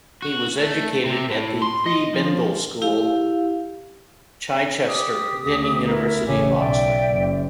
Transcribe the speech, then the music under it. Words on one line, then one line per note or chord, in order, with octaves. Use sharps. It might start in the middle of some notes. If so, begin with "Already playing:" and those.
He was educated at The Prebendal School, Chichester, then University of Oxford.
F#4
A3
C3
A2
C6
D#5
F3
E4 G4 F5
G4 D#6
D2
E4 A#4
A1 C#3 G4 C#5 G#5
B1 D5 E5 G5
F#1